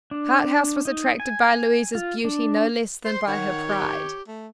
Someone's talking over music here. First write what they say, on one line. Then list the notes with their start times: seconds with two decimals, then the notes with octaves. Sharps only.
Harthouse was attracted by Louisa's beauty no less than by her pride.
0.11 D4
0.85 D#4
1.20 G#5
1.95 F4
2.25 D4
3.05 C5 C6
3.28 D#3 C#5 F#5
3.68 G4
4.28 A3